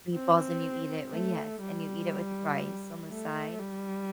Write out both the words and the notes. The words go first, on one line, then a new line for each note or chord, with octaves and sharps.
meatballs, and you eat it well, yes, and you eat it with rice on the side.
C4
A3
G3
A3
G3